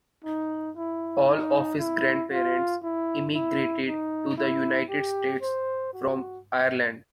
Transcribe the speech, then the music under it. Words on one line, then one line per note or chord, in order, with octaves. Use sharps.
All of his grandparents immigrated to the United States from Ireland.
D#4
E4
D#4
E4
F4
E4
E4
D#4
E4
G4
C5
F#4